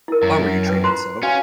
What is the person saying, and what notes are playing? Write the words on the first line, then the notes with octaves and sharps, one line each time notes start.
Why were you treated so?
E4 A#4
F#2 A#5
B4 G5
F4 A#5 C6 F#6
C#4 F#4 F5 G#5